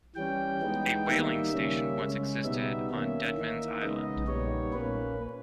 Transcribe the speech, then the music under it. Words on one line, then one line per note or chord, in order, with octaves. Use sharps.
A whaling station once existed on Deadman's Island.
E3 G3 C#4 G5
E3 G#3 B3 D#4
D#3 G3 A#3 D#4 E5
C#3 G3 A#3 C#4
C#3 G#3 C#4
B2 G3 B3 D#4 E5
D#3 A#3 C#4 E5
E3 A#3 D#4
C#3 G#3 B3 D#4 D#5
A#2 G3 B3 D#4 C#5
A#2 A#3 C#4 B4